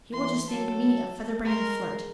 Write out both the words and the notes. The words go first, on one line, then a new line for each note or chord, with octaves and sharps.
He will just think me a feather-brained flirt.
E3 C6
F#3 A4
G#3 A#4 C6